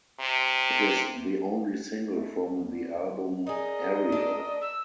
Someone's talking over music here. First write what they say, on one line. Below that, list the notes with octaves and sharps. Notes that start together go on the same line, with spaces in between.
It is the only single from the album "Aerial".
C3
G#3 A3
D2
D#4 G#4 A#4 D5 D#5
D4 A4
E6